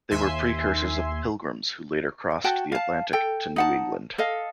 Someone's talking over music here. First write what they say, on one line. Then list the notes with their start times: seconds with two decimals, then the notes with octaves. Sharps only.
They were precursors of the Pilgrims who later crossed the Atlantic to New England.
0.11 D#2 E5 G#5 C6
2.44 F#4 G5 A5
2.72 F5 A5
3.13 A4 G5
3.56 D#4 F#5 A5
4.18 A4 D#5 F5